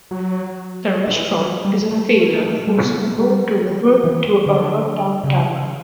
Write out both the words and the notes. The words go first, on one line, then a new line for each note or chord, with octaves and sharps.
The restaurant is a failure, forcing Moe to revert to a run-down tavern.
F#3
D3
E3
F#3
G3
A3
A3
A3
A3
G3
B3
A3
G3
G3
F#3
E3
D3
C#3